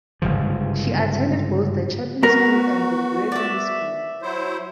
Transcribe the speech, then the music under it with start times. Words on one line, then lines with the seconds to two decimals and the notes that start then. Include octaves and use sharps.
She attended both the Chapin School and the Brearley School.
0.22 G1 G#2 C#3 F3
2.23 B3 F#4 A#4
3.32 D5 E5
4.22 F#3 E4 C5